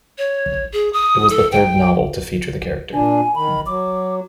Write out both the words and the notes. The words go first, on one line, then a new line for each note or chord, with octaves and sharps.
It was the third novel to feature the character.
C#5
G#4
D#6
A4
G5
A#2 D4 G#5
D#3 B5
F#3 D6